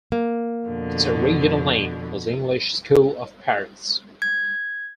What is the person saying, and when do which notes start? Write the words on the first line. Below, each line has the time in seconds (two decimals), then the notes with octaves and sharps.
Its original name was English School of Paris.
0.12 A#3
0.66 F2 B2 D3
4.22 G#6